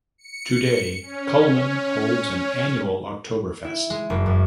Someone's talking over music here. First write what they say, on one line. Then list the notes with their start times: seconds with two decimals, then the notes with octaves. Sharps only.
Today, Cullman holds an annual Oktoberfest.
0.18 C#7
1.02 C#4
3.64 E4
3.90 G#3
4.10 F#1
4.26 F#2